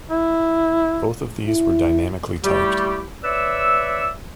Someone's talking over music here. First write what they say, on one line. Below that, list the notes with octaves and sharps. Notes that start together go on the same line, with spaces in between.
Both of these were dynamically typed.
E4
E4
G3 A3 E4 G4
B4 C#5 D5 E5 E6